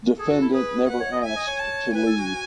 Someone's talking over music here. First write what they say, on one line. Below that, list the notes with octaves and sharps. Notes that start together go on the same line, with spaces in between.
Defendant never asked to leave.
G#4 A4
F#4
E4
G#4 B4
B4 F#5
C#5
D#5
E5 G#5
D#5
C#5
A5
B4 G#5
A4
F#4